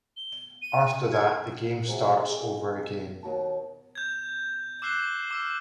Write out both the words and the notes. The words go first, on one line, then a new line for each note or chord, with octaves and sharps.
After that, the game starts over again.
G7
D#7
G#6
C3 E3 G#3 C4 F#4 G#4
G#4 D#5 G5
D#2 F#4 A5
G6 G#6
D6 E6 F#6 C7 E7 G7
D6 E6 F6